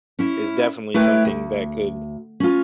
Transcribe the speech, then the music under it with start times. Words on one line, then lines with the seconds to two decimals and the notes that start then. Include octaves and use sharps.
is definitely something that could,
0.19 C#4 E4
0.94 A3 E4 B4 C#5 G5
1.25 D2
2.40 C#4 F4